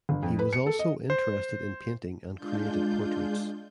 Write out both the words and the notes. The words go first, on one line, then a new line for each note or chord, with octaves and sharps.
He was also interested in painting and created portraits.
G1
F2
B4
C#7
A4
D#5
C5
G#3 D4 F4 G6